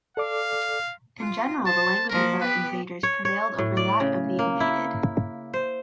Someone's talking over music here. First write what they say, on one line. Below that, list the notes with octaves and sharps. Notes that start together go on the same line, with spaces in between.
In general, the language of the invaders prevailed over that of the invaded.
A4 D5 F5 D6
F4
C5 A5
F3 A#3 A#4
B3 G4 B4
C#5
C#5
A2
D5
C#3
A#3
E4
C5